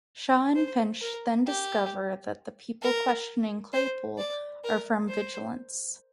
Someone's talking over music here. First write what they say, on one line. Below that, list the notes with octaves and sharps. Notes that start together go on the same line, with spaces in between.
Shaw and Finch then discover that the people questioning Claypool are from Vigilance.
C5
A#4
G4
A#4
C5
D5
A#4
C5